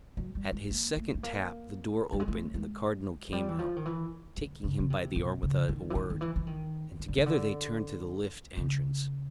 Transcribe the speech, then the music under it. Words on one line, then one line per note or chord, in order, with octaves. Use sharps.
At his second tap the door opened and the Cardinal came out, taking him by the arm without a word; and together they turned to the lift entrance.
F#3
G3
G#3
A#3
A3
A3
A#3
G3
G#3
A3
G#3
F#3
G3
E3
F3
D#3
E3
D3
C#3
C#3
C3
B2
C#3
D#3
E3
D#3
D#3
E3
E3
D#3
D#3
D3
C#3
D3
C#3